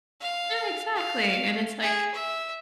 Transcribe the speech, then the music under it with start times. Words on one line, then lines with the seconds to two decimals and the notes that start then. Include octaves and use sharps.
Ah, exactly, and it's like
0.21 F5
0.96 F5
1.82 G#4
2.15 E5